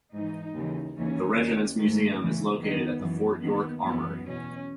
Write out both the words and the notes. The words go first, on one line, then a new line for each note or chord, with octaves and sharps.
The regiment's museum is located at the Fort York Armoury.
G#2 E3 D#4
D#2 C#3 E3
D#2 C#3 E3 C#4
D#2 D#3
G#2 D#3 A3
E2 C#3 E3
E2 D#3 B3
F#2 E3
D#2 D#3 B3
F#2 C#3 E3 B3
E2 B2 C#4